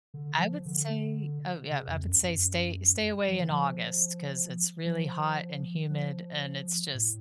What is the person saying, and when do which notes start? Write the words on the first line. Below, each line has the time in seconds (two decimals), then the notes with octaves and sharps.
I would say oh yeah, I would say, "Stay stay away in August 'cause it's really hot and humid and it's just
0.14 D3
0.39 F3
0.66 D3
1.71 C#3
1.88 F2
2.06 F#2
2.23 F#2
3.29 F3
3.40 D3
3.51 F3
4.86 F3
5.90 F3
6.95 A2